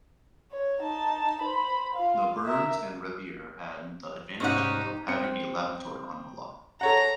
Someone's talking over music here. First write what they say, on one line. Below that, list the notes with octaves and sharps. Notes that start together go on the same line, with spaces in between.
The Burns and Revier had the advantage of having a laboratory on the lot.
C#5
D#4 A5
C5 B5
F4 F5
A#4 E5
D2 G#2 C3 C#4 D#4 G4 F#5
C4 C#7
A4 C#5 F#5 A#5